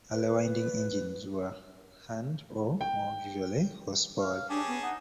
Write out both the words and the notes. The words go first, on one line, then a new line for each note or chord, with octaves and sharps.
Early winding engines were hand, or more usually horse powered.
B4
G5
F5
C#4 D4 G4 G#4 A5
B3
D#4 F#5